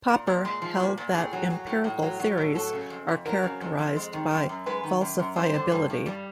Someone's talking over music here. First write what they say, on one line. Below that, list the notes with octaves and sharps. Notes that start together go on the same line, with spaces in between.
Popper held that empirical theories are characterized by falsifiability.
A#2
A#2
G#3
F3
A#2
A#2
A2 G#4
F#3
F#3
A2
A2
F#3
F#3
A2
F#3 A4
C#3
F2
F2
F#3 A#4
C#3
F2
F2
G#3
D#3
F#2
F#2
G#3 B4
D#3
F#2
F#2
G3 C5
D3
G2
G2
G3